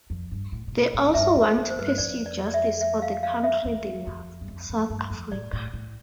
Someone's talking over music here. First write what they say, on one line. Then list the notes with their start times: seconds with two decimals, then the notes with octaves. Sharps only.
They also want to pursue justice for the country they love, South Africa.
0.10 F2
0.31 G2
0.52 A2
0.67 A2
0.72 B2
0.94 A2
1.09 F2
1.14 G2 E5
1.35 E2
1.43 C5
1.57 F2
1.70 C5
1.76 G2 B4
1.87 C5
1.98 F2 D5
2.26 D5
2.47 D5
2.54 E5
2.81 E5
3.02 F5
3.23 F5
3.43 E5
3.65 E2
4.07 F2
4.41 G2
4.48 F2
4.69 F2
4.90 G2
5.10 F2
5.31 A2 D5
5.53 A2
5.73 A2